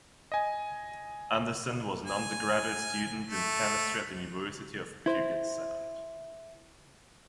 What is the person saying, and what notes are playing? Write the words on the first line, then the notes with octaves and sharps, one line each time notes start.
Anderson was an undergraduate student in chemistry at the University of Puget Sound.
D#5 G#5
G#5
A3
E4 C5